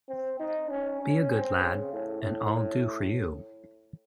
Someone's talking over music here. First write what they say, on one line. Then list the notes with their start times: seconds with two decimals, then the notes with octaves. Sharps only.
Be a good lad; and I’ll do for you.
0.09 C4
0.39 D#4
0.70 C#4
1.01 C#4
1.32 C4
1.62 C#3
1.93 A2
2.23 A2
2.54 A2